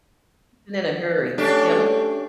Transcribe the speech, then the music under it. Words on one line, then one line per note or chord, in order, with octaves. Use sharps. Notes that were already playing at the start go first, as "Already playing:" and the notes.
and in a hurry, yeah we
A3 C#4 D4 G4